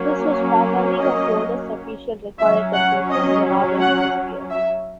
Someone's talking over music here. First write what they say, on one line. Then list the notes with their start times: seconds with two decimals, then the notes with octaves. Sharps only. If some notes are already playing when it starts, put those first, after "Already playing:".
This was formerly the coldest officially recorded temperature in the Northern Hemisphere.
Already playing: F#3 A#3 C#4
0.98 D#5
2.39 F#3 C#4 E5
2.74 F#5
3.10 D#5
3.80 F#5
4.50 E5